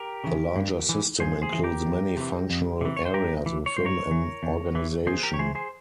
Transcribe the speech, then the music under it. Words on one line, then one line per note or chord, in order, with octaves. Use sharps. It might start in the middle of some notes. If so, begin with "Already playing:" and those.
The larger system includes many functional areas within an organization.
Already playing: G4 A#4
C#3 E3
G2
E3
G2 G#4 C5
G#4 C5
E3
G4 A#4
F2
C3 E3
F2
C3 E3
C#5
C5
G2 G4 A#4
E3
C#5
G2 C5
A#4 C#5
E3
E2
E3
E2 G#4 C5
G4 A#4
C#5
E3 G#4 C5
G#4 C5